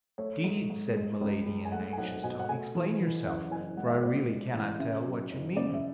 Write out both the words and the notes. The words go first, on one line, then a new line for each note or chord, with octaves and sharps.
"Indeed!" said Milady, in an anxious tone; "explain yourself, for I really cannot tell what you mean."
A3 C#5
G#2
G#2
G#3
C#2
G#3
G#5
A3 F#5
G#5
B1 F#5
B2 G#5
F#5
A3 G#5
E3
E3
F#1 F#5
F#1 G#5
G#3 F#5
E5
F#5
A2 D5
G#3
A1
C#3 E5
F#3
F#1
C#3 D5
E5